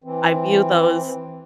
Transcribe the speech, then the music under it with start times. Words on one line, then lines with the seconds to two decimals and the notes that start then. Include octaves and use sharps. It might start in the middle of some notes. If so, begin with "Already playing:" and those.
I view those,
0.04 E3 C4